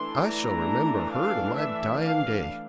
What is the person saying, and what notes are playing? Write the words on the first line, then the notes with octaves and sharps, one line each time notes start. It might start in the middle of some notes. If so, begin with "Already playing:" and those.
I shall remember her to my dying day.
Already playing: E3 A3 D4 C6
A#5
F5
E5
F5